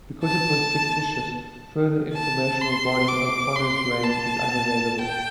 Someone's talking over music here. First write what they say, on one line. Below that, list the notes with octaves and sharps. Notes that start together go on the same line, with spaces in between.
Because it was fictitious, further information regarding O'Connor's reign is unavailable.
A5
A5
C6
D6
C6
A5
G5